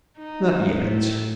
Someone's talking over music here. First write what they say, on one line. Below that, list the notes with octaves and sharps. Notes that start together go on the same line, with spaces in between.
"Not yet."
D#4
A2